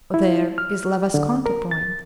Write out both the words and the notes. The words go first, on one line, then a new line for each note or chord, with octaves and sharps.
There is Le Vesconte Point.
E4
F6
D3
A#4
A6